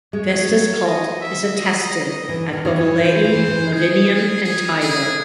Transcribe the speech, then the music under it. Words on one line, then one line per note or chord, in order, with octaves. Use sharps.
Vesta's cult is attested at Bovillae, Lavinium and Tibur.
G#3 C#5
F#3
D#5
E5
D#5
E3
D#3
D#3 C#5
E3
E3 C5
E3
E3
G#4
G#4
G#4